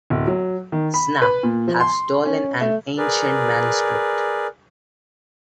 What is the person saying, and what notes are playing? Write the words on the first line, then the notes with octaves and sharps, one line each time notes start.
Snap, have stolen an ancient manuscript.
D1
F#3
D#3
B5
B4
A#2
F3
C6
C#4
A3
G#4 A#4 B4 D5